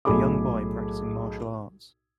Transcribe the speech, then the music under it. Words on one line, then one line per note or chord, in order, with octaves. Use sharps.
A young boy practicing martial arts.
B1 A2 G#4 A4 B5 D6